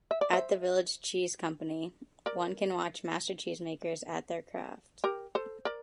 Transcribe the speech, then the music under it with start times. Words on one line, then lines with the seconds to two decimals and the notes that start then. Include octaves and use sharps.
At the Village Cheese Company, one can watch master cheesemakers at their craft.
0.11 E5
0.21 D5
0.33 C5 E5
2.26 A#4 D5
5.04 G4 A#4
5.35 A4 C5
5.65 A#4 D5